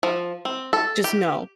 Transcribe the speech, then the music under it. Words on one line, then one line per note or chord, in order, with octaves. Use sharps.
Just, no.
F3
C4
A4
G4